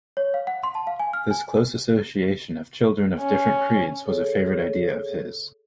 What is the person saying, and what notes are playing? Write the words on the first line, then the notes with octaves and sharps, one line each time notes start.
This close association of children of different creeds was a favorite idea of his.
C#5
F5
F#5
C6
A5
F5
G#5
F6
G#5
C#4
G#4 A4 C#5